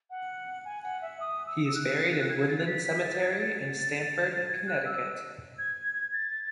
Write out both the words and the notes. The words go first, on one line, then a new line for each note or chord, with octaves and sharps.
He is buried in Woodland Cemetery, in Stamford, Connecticut.
F#5
G#5
F#5
E5
D#6
E6
E6
F#6
G#6
G#6
A6
B6
B6
A6
G#6
A6
A6
G#6
F#6
E6
G#6
A6